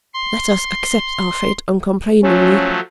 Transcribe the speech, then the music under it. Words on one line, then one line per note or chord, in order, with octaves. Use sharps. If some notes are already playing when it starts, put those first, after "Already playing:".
Let us accept our fate uncomplainingly.
C6
F3 F#3 A3 C#4